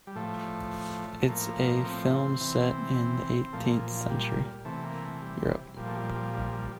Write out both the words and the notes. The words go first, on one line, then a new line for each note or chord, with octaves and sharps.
It's a film set in eighteenth century Europe.
G3
A2 F3 A3
A2 F3 A#3
C4
C3 E3
A#2 F3 A3
F3
G3
C3 E3 A3
A#3
A3
G3
G3
A#2 F3 G3
A3
G3
G3
G3
G3